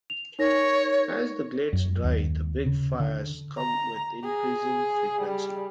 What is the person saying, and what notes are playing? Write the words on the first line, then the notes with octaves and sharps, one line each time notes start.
As the glades dry, the big fires come with increasing frequency.
F7
D#4 A#4 C#5 A#6
F#2
D#2
C#3
D3
A#5
G#4
G3